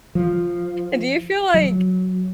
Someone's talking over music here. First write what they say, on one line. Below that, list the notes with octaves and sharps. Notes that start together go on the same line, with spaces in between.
And do you feel like
F3
F#3